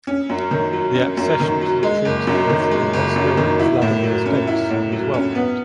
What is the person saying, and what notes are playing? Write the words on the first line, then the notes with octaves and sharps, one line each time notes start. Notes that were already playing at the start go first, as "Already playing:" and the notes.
The accession to the treaty of the "Moscow and Vladimir States" was welcomed.
C#4
F#2
D#3
F#3
C#4
F#2
D#3
F#3
G#3
F#1
F#2
D#3
G#3
F#1
F#2
D#3
E4
A2
F#3
C#4
E4
A2
F#3
C#4
B3